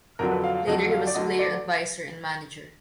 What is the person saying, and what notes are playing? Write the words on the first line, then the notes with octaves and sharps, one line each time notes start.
Later he was player advisor and manager.
F2 D3 F#3 A#4
B4
F5
F5
F2 D3 F#3 D#5
F5
D5
D2 D3 F#3 D#5
D5